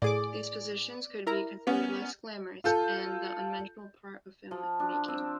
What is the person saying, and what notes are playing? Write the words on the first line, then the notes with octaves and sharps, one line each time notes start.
These positions could be considered "less glamorous", and the unmentionable part of filmmaking.
A2 G#4 D5 D6
E4 A#4 A#5
B3 C#4
F4 A4 G6
F3
D4
C4